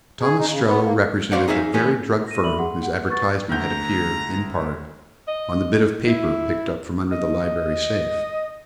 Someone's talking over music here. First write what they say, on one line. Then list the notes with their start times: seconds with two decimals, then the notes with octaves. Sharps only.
Tom Ostrello represented the very drug firm whose advertisement had appeared, in part, on the bit of paper picked up from under the library safe.
0.22 G#4
0.38 D#4
0.50 C#3
0.66 B3
0.84 A#3
1.32 F#4 C5 D5 F5 F#5
1.48 D#4 G#4 C5 E5 F5
1.74 E3 A3 B3 C#4 G4
2.28 A#6 D#7
2.43 F#4 A4 D5 E5 B5 F#7
2.58 G#4 F#5 C6
2.82 F#5
3.09 B4 C#6 A6
3.51 D2 F#5 A#5 G6
5.28 D#5
6.07 E4
7.12 D#5